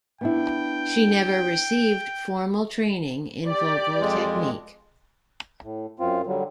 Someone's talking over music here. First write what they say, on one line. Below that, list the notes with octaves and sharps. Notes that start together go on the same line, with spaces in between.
She never received formal training in vocal technique.
B3 D4 E4 G5
G4 D5
F2 G#3
A2
F#2 C4 F4
D3 F#3 G3